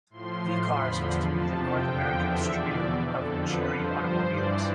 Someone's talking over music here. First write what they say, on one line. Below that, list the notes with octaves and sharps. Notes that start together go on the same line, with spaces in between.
V Cars was to be the North American distributor of Chery Automobiles.
A2 F3 C6
C6
E2 D3 F3 B5
F2 C3 F3 A5
G5
E2 D3 F3
E5
E2 B2 D5
F2 D3 F3 A4
B4
G2 F3 C5
C5
G2 E3 D5